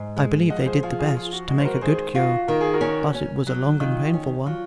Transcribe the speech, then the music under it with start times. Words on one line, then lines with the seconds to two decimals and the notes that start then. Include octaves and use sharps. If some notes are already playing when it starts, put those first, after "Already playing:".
I believe they did the best to make a good cure, but it was a long and painful one.
Already playing: G#2
0.17 G#3
0.50 F3 D#5 F#5
0.66 G#4 C5
0.83 F3 F4 G#4
0.99 F4 G#4
1.15 F3 F4 G#4
1.32 F#4
1.49 G#3 F#4
1.59 C5
1.65 F#4 A#4
1.81 D#3 G#4 C5
2.15 F4 F#4
2.48 D#3 A#4
2.61 G#4
2.73 F#4 A#4
2.81 C#4
3.15 C#4
3.47 F#3
3.80 D#3 F4
4.14 C#4
4.46 F#3 F4